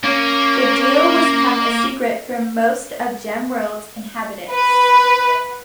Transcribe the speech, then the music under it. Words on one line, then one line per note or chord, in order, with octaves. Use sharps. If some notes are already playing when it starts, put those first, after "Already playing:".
This deal was kept a secret from most of Gemworld's inhabitants.
A#3 C#4
B4